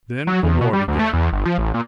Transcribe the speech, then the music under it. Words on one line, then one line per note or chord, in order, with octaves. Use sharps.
Then a war began.
F#3
E2
B2
G3
D2
A3
E2
G1
F3
A1
A#2